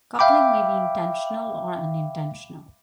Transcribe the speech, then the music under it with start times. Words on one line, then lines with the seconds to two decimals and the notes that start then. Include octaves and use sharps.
Coupling may be intentional or unintentional.
0.19 E5 F5 G5 B5 D6